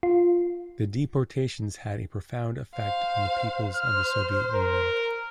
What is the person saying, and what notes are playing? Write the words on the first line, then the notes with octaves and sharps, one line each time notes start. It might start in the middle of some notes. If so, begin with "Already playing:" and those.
The deportations had a profound effect on the peoples of the Soviet Union.
F4
C5 F5
C5 F6
A#4